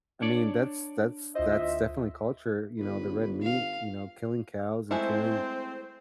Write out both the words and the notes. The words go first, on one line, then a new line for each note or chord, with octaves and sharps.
I mean, that's that's that's definitely culture, you know, the red meat, you know, killing cows and killing
D4 C#5 D5
D2 E4 F4 C5 D#5 E5
G1 B4
F5
G#3 A3 C4 E4 C5